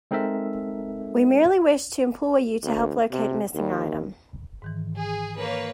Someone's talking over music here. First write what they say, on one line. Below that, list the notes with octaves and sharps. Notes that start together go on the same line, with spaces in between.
We merely wish to employ you to help locate a missing item.
G#3 C4 D#4 A4 A#4 E5
D2
C3
D#2
G#2 D#3 E3
G#4
A#3 B4 C#5